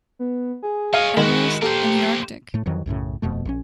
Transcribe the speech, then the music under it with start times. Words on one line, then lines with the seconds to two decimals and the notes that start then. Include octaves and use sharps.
Everest and the Arctic.
0.19 B3
0.63 G#4
0.94 C#5 D#5 F5
1.17 D#3 G#3 E4 F#4
1.62 A#3 G4 A4 C5
2.54 A2 A3
2.66 F2 D#3 E3 F#3
2.86 B1 F#2 A2 C#3
3.22 D#1 F2 B2 A3
3.45 A#1 F#3 C#4